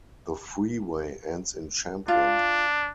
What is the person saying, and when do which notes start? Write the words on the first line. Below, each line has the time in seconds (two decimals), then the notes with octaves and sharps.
The freeway ends in Champlin.
2.08 D4 F4